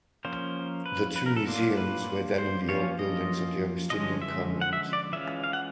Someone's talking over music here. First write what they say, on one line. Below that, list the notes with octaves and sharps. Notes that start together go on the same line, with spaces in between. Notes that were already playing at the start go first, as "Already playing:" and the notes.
The two museums were then in the old buildings of the Augustinian convent.
F3 A#3 C#4 C5
B4
B4
A#4
A4
F#3 A#3 D4 F4
B4
C5
F3 A#3 C#4 F4 C#5
D#5
D3 F3 G#3 C#4 D#5
E5
F#5
E5
D5
E3 G#3 C#4 F4 E5
F5
F#5